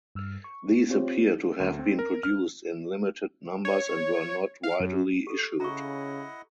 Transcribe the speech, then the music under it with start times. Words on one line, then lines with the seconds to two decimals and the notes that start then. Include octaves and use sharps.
These appear to have been produced in limited numbers and were not widely issued.
0.15 G2 E6 F6
0.44 C#6
0.90 C4 F4 G4 C5 C#5
1.60 D2
1.79 C4
1.99 A#4
2.23 F6
3.65 C#5
4.63 F5
4.80 F#2
5.27 G4 A4
5.60 C#3 E4 D#5 F#5 A#5 C#6